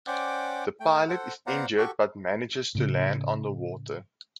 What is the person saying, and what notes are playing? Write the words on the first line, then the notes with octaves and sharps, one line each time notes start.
The pilot is injured but manages to land on the water.
C#4 C5 D5 F#5 G5 D6
A3 G5
A4 C5 F#5
B3 C5 D5 F5 F#5 A#5
F#4 G4 A4 C#6
A2 C#3